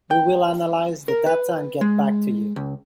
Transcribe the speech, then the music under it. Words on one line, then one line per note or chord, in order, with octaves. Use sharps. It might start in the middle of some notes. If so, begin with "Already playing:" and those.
We will analyze the data and get back to you.
G5
A#4
B4
G#3
C#2